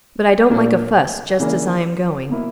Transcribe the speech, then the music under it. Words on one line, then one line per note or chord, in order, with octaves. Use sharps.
But I don't like a fuss just as I am going.
A#2 A#3 D4
C#3 E3 A#3 D4
B2 A#3 E4